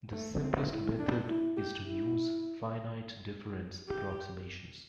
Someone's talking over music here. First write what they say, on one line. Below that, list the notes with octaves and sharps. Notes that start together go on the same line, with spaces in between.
The simplest method is to use finite difference approximations.
A3
C4
E4
D4
E4
G4
E4
G4